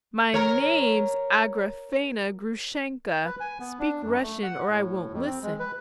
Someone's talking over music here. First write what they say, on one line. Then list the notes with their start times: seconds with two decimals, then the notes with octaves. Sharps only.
"My name's Agrafena, Grushenka, speak Russian or I won't listen!"
0.34 A#4 C#5
3.26 B4
3.40 G#5
3.60 B3
3.79 D4
4.04 F#2
4.22 A3
4.43 F#5
4.69 A2
5.13 F2
5.26 C4
5.43 G#3
5.59 B4